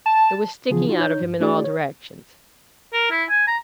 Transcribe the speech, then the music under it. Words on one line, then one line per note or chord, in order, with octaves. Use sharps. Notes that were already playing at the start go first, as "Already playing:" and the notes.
It was sticking out of him in all directions.
A5
C#3 E3 F3 B3 F4 G#4
D#4 F4 F#4
D#4 C#5 G6
G2
A3 D4 E4 F#4 G#4 D5
C#5
A#4
E4
G#5
A#5